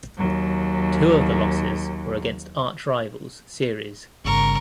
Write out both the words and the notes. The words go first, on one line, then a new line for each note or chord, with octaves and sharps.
Two of the losses were against archrivals Ceres.
D#2 F#3
G1 C#3 A#4 C#6